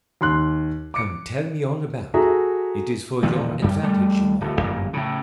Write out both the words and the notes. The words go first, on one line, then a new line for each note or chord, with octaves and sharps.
Come, tell me all about--it is for your advantage, you know.
D#2 C6 F#6
D6 C#7
F#4 G#4 A4 E5 A#5
E1 A#2 D#3 F3
F#2 G3
G3 A3
D1 A2
G1 F#2 A#2
A2 C#3